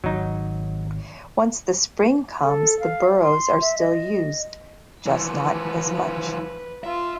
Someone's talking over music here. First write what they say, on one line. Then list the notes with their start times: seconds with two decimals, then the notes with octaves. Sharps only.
Once the spring comes the burrows are still used, just not as much.
0.04 G#1 F#3 D#4
2.42 A4
2.80 F5
3.22 C6
3.61 E5
3.78 D#5
5.06 E3 F3 B4
6.84 F4 E5